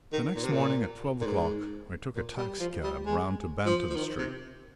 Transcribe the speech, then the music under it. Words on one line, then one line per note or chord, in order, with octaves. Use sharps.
The next morning at twelve o'clock I took a taxi-cab round to Banton Street.
D#3
A#2
C3
A#2
A#2
G#2
A#2
G3
F3
G3
G#3
F3
F3
D#3
C3